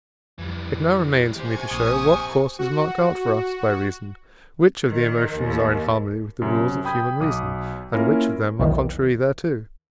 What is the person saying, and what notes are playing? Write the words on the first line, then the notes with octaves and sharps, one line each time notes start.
It now remains for me to show what course is marked out for us by reason, which of the emotions are in harmony with the rules of human reason, and which of them are contrary thereto.
F2 E3 G3
G4 C5 G#5 C#6 G#6
A#1 D#6
F#4
D#3
D#2
F#2 C3
G5 B5 D#6 G6 G#6
B1 D6 D#6
A#3 C#4 E4 F4 A#4
B1 E2 D#3